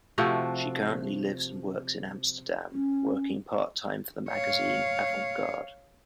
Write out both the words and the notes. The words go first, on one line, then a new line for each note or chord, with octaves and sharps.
She currently lives and works in Amsterdam, working part-time for the magazine AvantGarde.
C3 F3 A3 F#4
C#4
C#5 F5